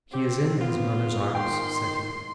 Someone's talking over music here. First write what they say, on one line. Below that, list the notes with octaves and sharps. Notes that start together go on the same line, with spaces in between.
'He is in his mother's arms,' said he.
C4 G4
B3 F4
D#3 G5 C6